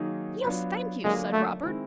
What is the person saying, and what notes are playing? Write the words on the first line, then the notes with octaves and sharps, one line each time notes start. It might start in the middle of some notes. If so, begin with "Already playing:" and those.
'Yes, thank you,' said Robert.
Already playing: D#3 F#3 A#3 D#4 G#4
F#3 B3 D4 F4
D3 F#3 G#3 A#3 D4 F4
A3
D#3 G#3 C4 E4